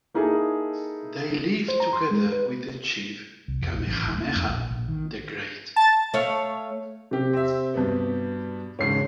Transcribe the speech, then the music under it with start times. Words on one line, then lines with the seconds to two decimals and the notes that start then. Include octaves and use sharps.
They lived together with the chief Kamehameha the Great.
0.14 A#3 D#4 E4 G#4 A4
1.68 C5
1.80 A#5
1.93 C6
2.11 G#3
2.32 B4
3.48 C2
3.61 F2
3.74 A#1
3.87 A1
4.05 D#1
4.18 A#3
4.36 F2
4.48 A#1
4.71 A#1
4.88 D#3
5.76 A5 A6
6.14 A3 C#5 F5
7.11 C3 G4
7.33 C4 E5
7.74 G2 B2 B3
8.79 E1 G#2 C#3 C#5 C7